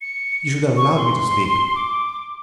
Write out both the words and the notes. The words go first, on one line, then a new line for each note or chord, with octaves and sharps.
You should have allowed me to sleep.
C#7
C#6
C6
D6